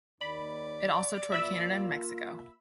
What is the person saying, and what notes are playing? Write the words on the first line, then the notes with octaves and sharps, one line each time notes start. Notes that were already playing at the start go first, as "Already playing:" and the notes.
It also toured Canada and Mexico.
D#2 D5 B5
A#3 F4 E5 B5 E6